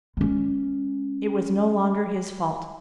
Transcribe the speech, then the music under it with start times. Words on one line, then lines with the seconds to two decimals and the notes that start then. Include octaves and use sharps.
It was no longer his fault.
0.17 G#3 C#4